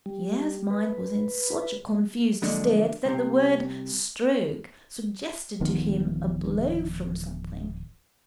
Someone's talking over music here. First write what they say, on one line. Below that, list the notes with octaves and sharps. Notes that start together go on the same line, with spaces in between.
Pierre's mind was in such a confused state that the word "stroke" suggested to him a blow from something.
G3
B4
F2 A#2 D3 F#3 G#3 D4
C2 C3
D1 D#3 F3 B3